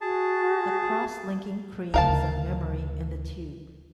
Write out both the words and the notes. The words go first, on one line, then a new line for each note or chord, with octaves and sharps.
The cross-linking creates a memory in the tube.
F#4 G#4 A5
D2 C#3 A#4 F5 A5